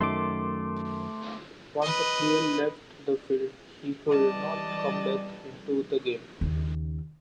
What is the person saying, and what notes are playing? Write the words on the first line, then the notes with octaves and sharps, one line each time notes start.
Once a player left the field, he could not come back into the game.
F#2 D#3 A3 C6 D6
B4 D#5
E3 G3 D5 D#5 A5
D#2 C#3